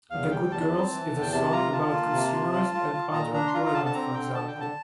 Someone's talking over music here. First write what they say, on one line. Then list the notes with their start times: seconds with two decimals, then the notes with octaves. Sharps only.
"The Good Girls" is a song about consumerism and underemployment, for example.
0.11 E2 F5
0.31 G3 G5
0.51 E2 A5
0.72 C4
0.92 E3
1.12 E2
1.22 G5
1.32 C3 A5
1.52 F4 A#5
1.72 F4 A5
1.92 A#3
2.13 C3
2.33 F4
2.53 F4
2.74 F4
2.93 F4
3.14 A#2 A#5
3.33 D4 A#5
3.47 C6
3.54 F4 A#5
3.66 A#5
3.74 D3 A5
3.86 A5
3.94 C4 A#5
4.14 D3 G5
4.35 D3 A5
4.48 G5
4.55 D3
4.61 A5